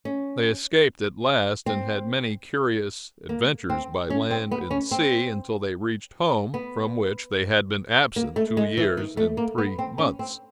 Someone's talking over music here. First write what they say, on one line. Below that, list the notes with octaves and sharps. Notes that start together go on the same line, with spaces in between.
They escaped at last, and had many curious adventures by land and sea, until they reached home, from which they had been absent two years and three months.
C#4
C4
A#3
C4
C#4
C4
B3
C#4
C4
B3
A#3
A3
G#3
E3
D#3
A3
A#3
B3
C4
C#4
C4